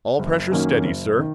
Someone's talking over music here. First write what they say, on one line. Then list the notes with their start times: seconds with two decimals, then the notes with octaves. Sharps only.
"All pressures steady, sir."
0.19 F#1
0.52 F#2 D#3 A#3 C#4
0.84 F#1
1.19 D#3